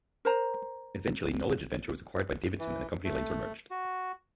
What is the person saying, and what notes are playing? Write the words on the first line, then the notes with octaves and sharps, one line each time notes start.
Eventually, Knowledge Adventure was acquired by Davidson and the company lines were merged.
A#4 C5 A#5
E3
A3
F#4